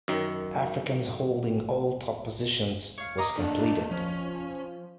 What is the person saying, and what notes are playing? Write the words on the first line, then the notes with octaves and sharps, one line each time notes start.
Africans holding all top positions, was completed.
F#2 D#3
C#5 F5
D#5 A#5 D6
A#3 D4 A4
F3 C#4